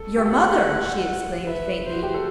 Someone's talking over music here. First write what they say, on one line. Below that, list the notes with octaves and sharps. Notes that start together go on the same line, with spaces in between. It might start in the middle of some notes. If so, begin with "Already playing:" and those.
"Your mother!" she exclaimed faintly.
Already playing: A4
G4
A4
G4 F#5
A4
B4 E5
C5
F#4
G4
A4